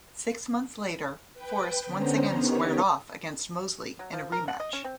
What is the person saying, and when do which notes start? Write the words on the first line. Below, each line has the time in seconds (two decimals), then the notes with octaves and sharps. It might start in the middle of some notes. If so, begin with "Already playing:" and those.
Six months later, Forrest once again squared off against Mosley in a rematch.
1.33 B4 G5
1.86 D3 B3 C#4 C5 A#5
2.37 B3 D#4 G4 A#4 C#5
3.99 F#3
4.13 F3
4.32 A#4
4.48 F#5
4.60 D#5
4.73 C#4
4.84 C4